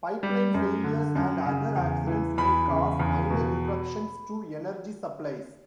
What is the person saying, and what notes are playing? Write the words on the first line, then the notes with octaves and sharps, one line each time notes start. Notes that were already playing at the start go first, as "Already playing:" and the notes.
Pipeline failures and other accidents may cause minor interruptions to energy supplies.
G3
F#2
D3
F#2
C#3
E2
E3
E2 B5
C#3
E2
B2